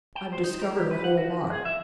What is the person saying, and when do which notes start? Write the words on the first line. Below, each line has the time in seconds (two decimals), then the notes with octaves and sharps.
I've discovered a whole lot.
0.15 G5
0.33 C5
0.44 D#4
0.62 A#4
0.78 G4
0.91 B4
1.04 F#5
1.17 F#4
1.30 F3
1.52 G#4
1.65 E5